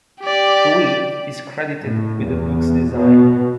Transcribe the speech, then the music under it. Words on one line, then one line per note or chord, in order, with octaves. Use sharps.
Tweet is credited with the book's design.
G4 D5
A2
E2
B2